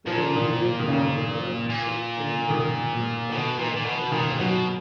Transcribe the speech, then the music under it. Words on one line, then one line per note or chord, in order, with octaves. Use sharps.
The communion is available for sick and dying people also outside the festival.
A#2 F3
D#3
D#3
C#3
A#2
D#3
B2
A#2
A#2
B2
A#2 D#3
B2 F#3